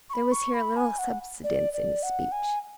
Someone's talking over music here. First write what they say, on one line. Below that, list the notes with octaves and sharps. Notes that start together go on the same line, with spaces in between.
There was here a little subsidence in his speech.
C#6
B5
C#6
B5
G#5
F#5
D5
D5
F#5
G#5